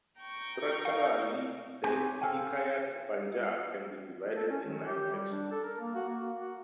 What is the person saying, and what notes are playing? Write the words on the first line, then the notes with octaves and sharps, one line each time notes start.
Structurally the Hikayat Banjar can be divided in nine sections.
G5 A#5 C#6
F5
C4 G4 B4 C#5 G#5
A4 C5 F5 G5 G#5
A4
C#4
D#3
G4
G3
D4
A4
A#4
A#3
F#4
A#3
F#4